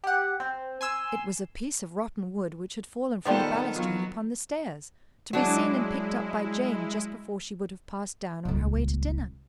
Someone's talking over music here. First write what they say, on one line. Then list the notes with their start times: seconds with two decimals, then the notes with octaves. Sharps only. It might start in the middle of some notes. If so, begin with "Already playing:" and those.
It was a piece of rotten wood which had fallen from the balustrade upon the stairs, to be seen and picked up by Jane just before she would have passed down on her way to dinner.
0.04 G4 F#5
0.40 C4
0.81 G#5 C6 E6
3.25 D#3 F3 G3 B3 A4 C6
3.76 F#3 B3 F4
5.33 F#3 G#3 D4 E4
8.45 D#1 C#2